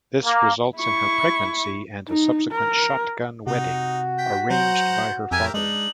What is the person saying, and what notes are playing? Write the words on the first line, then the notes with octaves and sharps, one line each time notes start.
This results in her pregnancy and a subsequent Shotgun wedding arranged by her father.
A#3
E4 C#6
D#4
A#4
C3 D#4 F#4
G5 B6
F#3 C5 F#5 A#5 G6
F2 G4 A#4 E5 G#5
G#3 D4 D#4 F#7